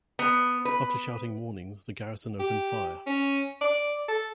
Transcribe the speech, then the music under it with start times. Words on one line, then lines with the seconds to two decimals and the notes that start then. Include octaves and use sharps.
After shouting warnings the garrison opened fire.
0.19 B3
0.65 B4
2.40 G4
3.07 C#4
3.61 D5
4.09 A4